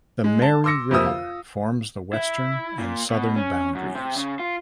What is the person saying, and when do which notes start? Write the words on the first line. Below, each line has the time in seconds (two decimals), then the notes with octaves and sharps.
The "Mary River" forms the western and southern boundaries.
0.24 G#3
0.42 A5
0.64 C6 D6 E6 A#6 C#7
0.91 F2 C3 A#3 E5 D#6 E6
1.06 F4
2.13 E4
2.78 A#2
3.11 B2
3.36 C#4
3.75 F#2
3.95 C3
4.17 C#3
4.40 F4